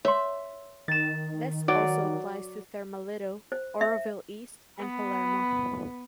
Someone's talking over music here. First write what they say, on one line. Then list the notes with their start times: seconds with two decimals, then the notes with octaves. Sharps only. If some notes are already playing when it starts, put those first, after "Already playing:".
This also applies to Thermalito, Oroville East, and Palermo.
0.05 C#5 E5 C6
0.88 D#3 A6 E7
1.68 F#3 D5
3.52 C5
3.81 E5
4.77 B3 B4